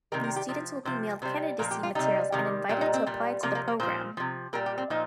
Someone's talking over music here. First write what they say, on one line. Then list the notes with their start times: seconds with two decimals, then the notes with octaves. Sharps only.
These students will be mailed candidacy materials and invited to apply to the program.
0.12 C3 D#3 G3 A#4
0.24 A#4
0.36 G4
0.49 C3 F3
0.85 C3 F3 C5
1.22 C3 G3 C5
1.59 A#2 A#4
1.62 F3
1.71 G4
1.83 F4
1.95 C3 G3 D#4
2.32 C3 D#3 G3
2.69 A#2 G3
2.81 D#4
2.94 C4
3.06 A#2 G3
3.43 C3 F3 A#3
3.55 A#3
3.68 A#3
3.80 A#2 F3 C5
4.17 C3 F3
4.53 A#2 G3 A#4
4.66 G4
4.78 C4
4.90 A#2 F3 D#4